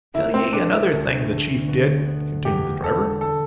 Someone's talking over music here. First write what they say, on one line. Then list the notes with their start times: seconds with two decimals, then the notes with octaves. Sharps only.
"Tell ye another thing the chief did," continued the driver.
0.14 C2 E4
0.34 C4
0.52 B2 D4
0.72 E4
0.92 D2
1.30 D3
1.68 B2
2.06 B3
2.44 E2 G4
2.83 D3 A4
3.21 A4